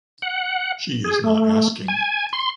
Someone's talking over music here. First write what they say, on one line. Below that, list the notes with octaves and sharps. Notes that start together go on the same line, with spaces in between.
She is not asking.
F#5
G#4
A3
G#5
C6